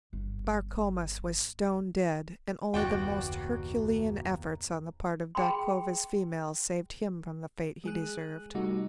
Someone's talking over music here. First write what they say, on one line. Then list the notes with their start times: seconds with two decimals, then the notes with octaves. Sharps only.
Bar Comas was stone dead, and only the most herculean efforts on the part of Dak Kova's females saved him from the fate he deserved.
0.13 G1
2.74 F#1 D#2 B2 F#4 D5 G5
5.35 G#4 G5 B5 C6
7.84 G#3 G#4 F#6
8.55 C3 G3 A3 D#4 F#4